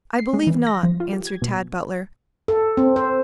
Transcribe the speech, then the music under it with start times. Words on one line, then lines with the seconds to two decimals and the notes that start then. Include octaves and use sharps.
"I believe not," answered Tad Butler.
0.19 C7
0.33 G#3
0.47 E3
0.67 A#6
0.83 F3
1.00 F4
1.13 G4
1.27 G#6
1.42 B2
2.48 A4
2.77 C4
2.96 C5